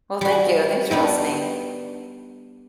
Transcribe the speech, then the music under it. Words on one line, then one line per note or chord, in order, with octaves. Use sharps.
Well, thank you. Thanks for listening.
G3 F#4
G3 B3 D4